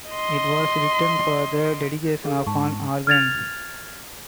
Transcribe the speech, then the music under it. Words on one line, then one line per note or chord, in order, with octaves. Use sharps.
It was written for the dedication of an organ.
D#5 C6
G#4 A4 F5
G#2 A5 C#6
F6 G#6 A6 F7